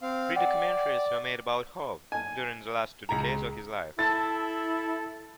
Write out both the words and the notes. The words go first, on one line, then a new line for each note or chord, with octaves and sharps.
Three documentaries were made about Howe during the last two decades of his life.
C4 F5
D5 F#5 G5
G#5
C#2 A#5
E4 A4 A5 A6